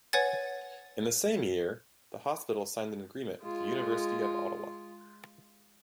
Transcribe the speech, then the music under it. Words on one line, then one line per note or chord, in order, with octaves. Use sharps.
In the same year, the hospital signed an agreement with the University of Ottawa.
B4 C#5 F#5 G#5 G#6 A6
G#3 F4